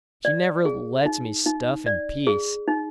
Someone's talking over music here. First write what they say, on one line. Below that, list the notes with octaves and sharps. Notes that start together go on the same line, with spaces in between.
She never lets me stuff in peace.
D5
G#4
D#4
D#4
D5
G#4
D#4